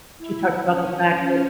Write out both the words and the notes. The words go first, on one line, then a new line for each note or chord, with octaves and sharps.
she talked about the fact that
E4
C#4